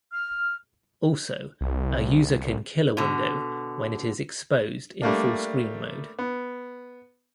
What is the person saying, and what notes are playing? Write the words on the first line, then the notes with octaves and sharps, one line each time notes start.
Also a user can kill a window when it is exposed in fullscreen mode.
F6
C2
B2 D3
G3 A3 A#3 D4
B3